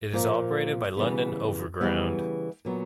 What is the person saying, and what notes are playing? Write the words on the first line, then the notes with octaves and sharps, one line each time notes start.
It is operated by London Overground.
A#2 F3 A#3
C#3 E3 G3 B3
C#3 E3 G3 B3
A#2 F#3 B3